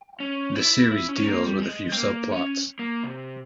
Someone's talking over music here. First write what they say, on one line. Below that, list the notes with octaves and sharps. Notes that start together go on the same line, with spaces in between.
The series deals with a few subplots.
C#4
E4
E4
C#4
A#3
G3
G#3
C4
A#3
C#4
A#3
C3